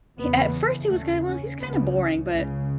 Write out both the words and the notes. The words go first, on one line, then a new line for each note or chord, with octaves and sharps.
He at first, he was kinda, "Well, he's kinda boring," but,
E2 C#3 B3
D#2 C#3 A3
C#4
C#2 C#3 B3
C#2 C#3